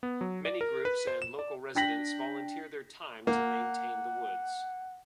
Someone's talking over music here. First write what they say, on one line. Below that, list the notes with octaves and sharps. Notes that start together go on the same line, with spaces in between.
Many groups and local residents volunteer their time to maintain the woods.
B3
F#3
D5
A#4
B4
C5
E7
D5
D4 G5 A#6 B6 F#7
A#3 F#5